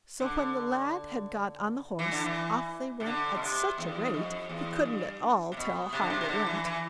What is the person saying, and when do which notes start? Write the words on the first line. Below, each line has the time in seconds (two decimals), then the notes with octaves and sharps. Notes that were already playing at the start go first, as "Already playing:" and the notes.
So when the lad had got on the horse, off they went at such a rate, he couldn't at all tell how they went.
0.20 D3
1.99 E3
2.12 D3
2.24 E3
3.00 C3
3.06 D3
3.35 B2
3.42 C3
3.78 E2
4.05 G2
4.14 F2
4.49 E2
4.85 G2
5.52 C3
5.57 B2
5.92 C3
6.01 D3
6.10 C3
6.21 C3
6.29 D3
6.46 E3
6.64 E3